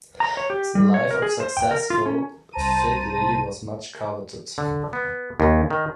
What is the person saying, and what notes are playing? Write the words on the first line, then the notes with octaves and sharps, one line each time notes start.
The life of successful "figlie" was much coveted.
A#5
C#5
G4
G3
C#5
A#4
G#4
C5
G5
A#4
F4
C#4
C2 C5 A5 A#5 D#7
D3
B3
D#2
D#3